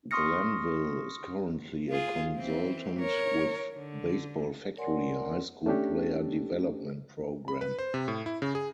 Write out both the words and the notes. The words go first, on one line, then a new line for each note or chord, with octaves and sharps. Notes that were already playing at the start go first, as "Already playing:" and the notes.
Glanville is currently a consultant with Baseball Factory, a high-school player development program.
C6 C#6 D#6 F6 A#6 C#7
F4 G#4
E3 C4
A#4 C#5
D3
A#4 C#5 D5 F#5 G#5 C6
A3 C#4 D4 G4 A4
B5
B4
C5
C3
A2
E4
C#3
G#4